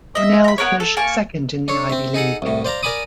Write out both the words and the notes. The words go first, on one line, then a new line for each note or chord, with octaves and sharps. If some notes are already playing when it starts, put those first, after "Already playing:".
Cornell finished second in the Ivy League.
D#5 E5
A#5 B5
B3 A#4 B4 C#5
A4
A#3 G#5 A5 C#6
D4 A4 C#5
C4 E5
D#4 G#4 A4 F#5
C2 A2
C5 D5 F5 A#5
A#4 D5 G#5 B5 D6 D#6